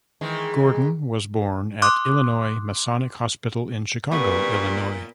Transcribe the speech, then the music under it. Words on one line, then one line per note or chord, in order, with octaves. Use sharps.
Gordon was born at Illinois Masonic Hospital in Chicago, Illinois.
D#3 E3 G#3
C6 D6 D#6 F#6
A#2 G3 B3 C#6